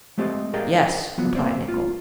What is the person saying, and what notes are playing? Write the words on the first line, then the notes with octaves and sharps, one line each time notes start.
"Yes," replied Nicholl.
G#3 A3 C4 G4 D5 D#5
G#4 A#4 D5 D#5 F5 G5
F3 F#3 B3
A#3 C4 C5 D5
F4